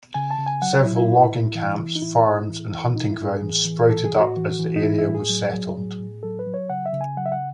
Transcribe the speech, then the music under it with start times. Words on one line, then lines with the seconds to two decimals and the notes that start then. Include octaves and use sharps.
Several logging camps, farms, and hunting grounds sprouted up as the area was settled.
0.14 C#3 G#5
0.31 A5
0.38 C#3
0.46 G#5
0.62 F#3 F#5
0.73 C#5
0.85 F#3 E4
0.96 E4
1.08 A2
1.32 A2
1.55 E3
1.78 E3
1.96 D#4
2.01 A2 E4
2.26 A2
2.49 E3
2.72 E3
2.95 A2 D#4
3.11 E4
3.19 A2
3.27 G#4
3.43 E3
3.65 E3
3.89 A2 A4
4.05 G#4
4.12 A2
4.20 F#4
4.36 E3
4.59 E3
4.76 D#4
4.82 A2 E4
4.98 E4
5.06 A2
5.15 G#4
5.29 F#3
5.53 F#3
5.76 A2
5.99 A2
6.23 F#3 A4
6.39 B4
6.47 F#3
6.54 C#5
6.70 C#3 F#5
6.86 E5
6.93 C#3
7.01 G#5
7.17 F#3 F#5
7.26 E5
7.32 F#5